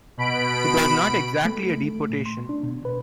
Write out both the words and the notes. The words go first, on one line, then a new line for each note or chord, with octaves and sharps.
It was not exactly a deportation.
B2 B5 D7
A3
A3
A#2
C6
D4
B2
B4